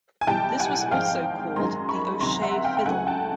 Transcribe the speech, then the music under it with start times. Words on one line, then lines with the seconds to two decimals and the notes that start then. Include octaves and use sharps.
This was also called the "O'Shea Fiddle".
0.21 G#5
0.27 B1 A2 E3 G3 G5 A5
0.59 F#5 G#5
0.91 G#1 G#2 F3 G#3 F5 G5
1.56 F#2 D#3 G#3 A#5 C6
1.89 B5 C#6
2.21 D2 C3 D#3 F#3 A#5 C6
2.42 E5 F#5
2.64 F5 G5
2.77 G5
2.86 C#2 C#3 F#3 A3 F#5 G#5
3.07 G5 A5